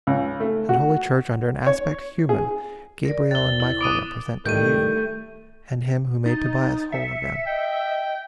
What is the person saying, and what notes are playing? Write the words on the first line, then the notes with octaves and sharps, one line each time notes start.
And Holy Church under an aspect human Gabriel and Michael represent to you, And him who made Tobias whole again.
C#2
A3
F#4
C#5
G#4
A#4 D5
D#2 C3 A6 G7
E4
B3 D6 D#6 F#6 D#7
A2 D#3 G3 A3 G6 D#7
D#4 A6
E5 C#7
D#5 G5